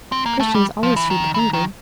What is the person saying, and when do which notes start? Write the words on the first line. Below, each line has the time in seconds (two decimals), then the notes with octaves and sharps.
Christians always feed the hungry.
0.12 C4
0.26 A#3
0.41 A3
0.55 G3
0.83 F3
0.96 E3
1.10 D#3
1.34 E3
1.39 D#3
1.53 D#3